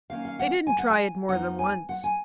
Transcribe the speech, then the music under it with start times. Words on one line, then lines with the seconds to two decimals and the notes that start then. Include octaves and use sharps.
They didn't try it more than once.
0.10 D#3 A#3 C#4 F5
0.25 F5
0.39 F#5
0.67 G#5
0.78 F#5
0.90 G#5
1.29 F2 F3 B3 D#4 F#5
1.59 G#5
1.89 F#5
2.04 G#5